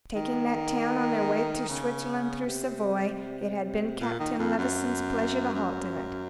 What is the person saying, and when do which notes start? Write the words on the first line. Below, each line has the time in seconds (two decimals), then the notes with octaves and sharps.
Taking that town on their way to Switzerland through Savoy, it had been Captain Levison's pleasure to halt in it.
0.16 D#3
1.69 C#3
2.47 C3
4.00 A#2
4.19 D#3
4.38 F2
4.57 F#2
5.54 F#2